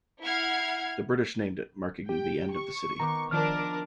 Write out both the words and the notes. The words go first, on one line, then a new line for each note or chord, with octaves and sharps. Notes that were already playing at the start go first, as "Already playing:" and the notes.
The British named it marking the end of the city.
E4 F#5 F6 G#6 C7
G4 G5
C#6
D#3 B3 A#5 D6
D#3 F3 D4 F4 A#4 D6 F6